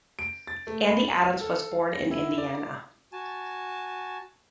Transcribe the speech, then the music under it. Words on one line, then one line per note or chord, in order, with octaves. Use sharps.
Andy Adams was born in Indiana.
D7
A6
A3
B5
F#7
F6
A4
F5
A#6
E4
D5
F#4 G#5 A5